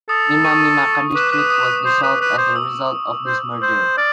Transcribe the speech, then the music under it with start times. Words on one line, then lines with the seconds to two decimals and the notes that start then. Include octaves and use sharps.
Minaminaka District was dissolved as a result of this merger.
0.09 A4 D#6
0.45 C#6
1.15 B4 D6
1.27 D6
1.32 B4
1.38 D#6
1.50 D#6
1.85 C5
2.03 B4
2.21 B4
2.38 C5
2.56 E6
3.27 C5
3.62 C5 E6
3.97 D5 F6